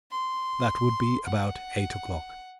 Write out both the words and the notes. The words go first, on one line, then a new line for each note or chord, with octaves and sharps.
That would be about eight o'clock.
C6
F#5